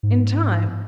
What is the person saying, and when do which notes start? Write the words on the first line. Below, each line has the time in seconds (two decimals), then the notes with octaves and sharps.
In time!
0.03 G#2